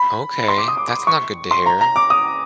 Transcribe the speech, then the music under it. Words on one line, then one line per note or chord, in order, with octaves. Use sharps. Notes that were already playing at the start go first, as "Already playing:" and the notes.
Okay, that's not good to hear.
Already playing: B5
C6
D6
D#6
D6
D6
C#6
C6
A#5
A#5
D6
D#6